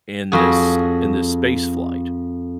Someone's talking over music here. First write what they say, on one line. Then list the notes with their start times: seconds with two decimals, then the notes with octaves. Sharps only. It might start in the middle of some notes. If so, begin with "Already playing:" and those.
in this in this spaceflight
0.32 F2 F#4 G#4